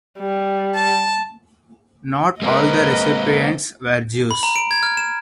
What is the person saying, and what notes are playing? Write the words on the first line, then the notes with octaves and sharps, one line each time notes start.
Not all the recipients were Jews.
G3
A5
G#3 A#3 C4 A#4 B4 D#5
B5
A#5
D7
G#6
F6
E7